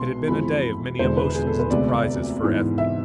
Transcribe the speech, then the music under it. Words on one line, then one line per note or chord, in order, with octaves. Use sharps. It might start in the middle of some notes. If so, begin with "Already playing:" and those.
It had been a day of many emotions and surprises for Ethne.
Already playing: B1 B2 G#3 B3 C6
F2 E3 G#3 C4 B5
E1 E2 D3 G#3 C5
B4
G#4
A4
B4
D2 C3 G#3 B3 D5
D5
G#2 E3 B3
E5